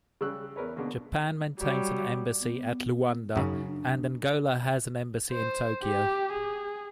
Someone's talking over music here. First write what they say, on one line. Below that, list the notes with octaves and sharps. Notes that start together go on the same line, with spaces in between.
Japan maintains an embassy at Luanda and Angola has an embassy in Tokyo.
C#3 G3 E6 F#6
E2 A#4 B4 C#5
B2 D3 G#3 A#3 C#4
F#3 G3
B3
F#2 C#3 D#4
D4
C5
G4
G#4